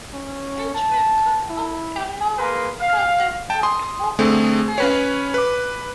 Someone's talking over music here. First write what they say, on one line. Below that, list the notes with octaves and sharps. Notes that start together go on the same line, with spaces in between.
Each man cut off a lock from the front of his head.
C#4
A5
E4
A#3 G#4 A#4 B4 C6
F5
G5 A5
C6 D#6
D3 A3 C4 G#4
C#4 B4 C#5
B4 D6